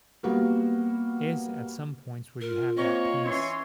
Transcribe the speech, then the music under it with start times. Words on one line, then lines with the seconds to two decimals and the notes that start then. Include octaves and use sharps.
is at some points where you have that peace,
0.23 G3 A#3 B3 F#4 A#4
2.41 F4 A#4
2.77 A#3 C4 C#5 D#5
3.24 E3 C#4 C#5 C6